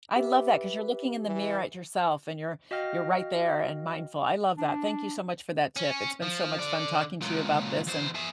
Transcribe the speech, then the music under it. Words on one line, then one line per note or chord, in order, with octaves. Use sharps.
I love that 'cause you're looking in the mirror at yourself and you're you're right there and mindful, I love that, thank you so much for that tip. It's been so much fun talking to you about this and
G4 B4 E5
E3
F#4 D#5 F5 G5 F6 A#6
D4
C#4
F3
D3 D5
C#2 A#2
E2 C5
G#4 E5